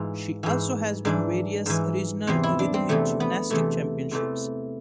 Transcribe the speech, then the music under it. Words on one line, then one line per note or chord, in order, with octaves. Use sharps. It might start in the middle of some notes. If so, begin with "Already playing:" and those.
She also has won various regional rhythmic gymnastics championships.
Already playing: G#2 E3 F4
G#2 E3
G#2 E3 D4
G#2 E3
E2 C3 E3 C4
E4
D4
C4
E2 C3 E3 A3
B3
E2 C3 E3 A3
E2 C3 E3 A3